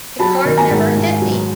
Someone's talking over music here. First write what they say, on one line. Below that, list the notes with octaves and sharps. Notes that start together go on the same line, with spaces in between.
Picard never hit me!
F#3 A5 B5
D#3
G#5 A#5
G#2
G#2
F#3